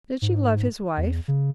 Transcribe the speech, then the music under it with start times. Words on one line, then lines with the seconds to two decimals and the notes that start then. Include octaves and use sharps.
Did she love his wife?
0.22 G#2
0.97 E2
1.28 C#3